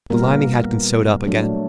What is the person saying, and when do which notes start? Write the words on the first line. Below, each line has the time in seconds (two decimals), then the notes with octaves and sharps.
The lining had been sewed up again.
0.10 A#2 G3 A#3 B3 A#4
1.27 F#3 A3 D4